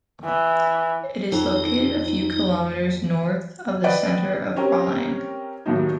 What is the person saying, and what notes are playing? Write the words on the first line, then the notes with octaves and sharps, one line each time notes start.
It is located a few kilometres north of the centre of Rollag.
E3
F2 D#4
B4 D5 D#5 F#5 G5
C4 C#4 G4 A#4
D#2 A2 F#3 D#4